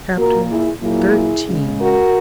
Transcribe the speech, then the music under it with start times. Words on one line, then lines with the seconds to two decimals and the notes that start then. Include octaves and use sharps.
Chapter XIII.
0.16 A#2 A#3 F#4 A#4
0.48 E4 G#4
0.81 A#2 F#3 A#3 E4 G#4
1.46 C#3 G#3
1.79 F#4 A#4